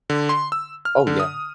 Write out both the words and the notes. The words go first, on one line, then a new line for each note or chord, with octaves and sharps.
Oh, yeah.
D3
C6
E6
F6
D3
D#6